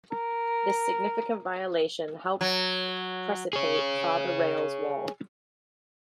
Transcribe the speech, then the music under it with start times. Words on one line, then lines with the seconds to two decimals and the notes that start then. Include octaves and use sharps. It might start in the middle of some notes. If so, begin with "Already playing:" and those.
This significant violation helped precipate Father Rale's War.
0.12 A#4
2.41 F#3
3.53 G#4 C#5